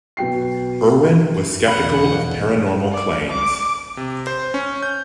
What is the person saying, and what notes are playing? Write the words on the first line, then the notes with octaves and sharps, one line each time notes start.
Irwin was skeptical of paranormal claims.
B2 F#3 G5 C7
E2 B2 F5 F#5 B5
D5
D6
C3
C5
C#4
G6